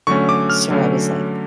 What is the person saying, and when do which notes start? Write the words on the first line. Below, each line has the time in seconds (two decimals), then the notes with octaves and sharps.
so I was, like,
0.07 D3 F#3 A3 C#4 C#6
0.29 D6
0.50 F6
0.71 D3 F#3 A3 C#4